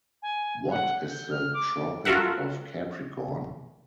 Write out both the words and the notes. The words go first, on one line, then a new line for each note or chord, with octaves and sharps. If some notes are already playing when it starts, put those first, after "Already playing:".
What is the Tropic of Capricorn?
G#5
F#5
G6
F6
D6
F4 F#4 A4 A#4 E5 F#5